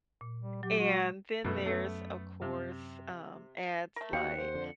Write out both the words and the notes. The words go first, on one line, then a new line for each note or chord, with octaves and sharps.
And then there's, of course, um, ads like,
A#2
G3
F#3 G4
G#3 F#4
F#2 B2 A3 B3
A3 B3
C3
A3 A#4
D#2 F#4 G4 F5 F#5 C#7
C5
F2 D3